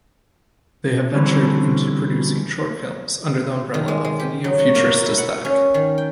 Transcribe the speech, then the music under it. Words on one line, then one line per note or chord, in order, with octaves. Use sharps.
They have ventured into producing short films under the umbrella of the Neo-Futurist aesthetic.
D3 E3 G3 C4 C#4
D#3
G#3
G#3
G4
F#3
F#4
A#3
E4
F#5
C#4
D#3
G5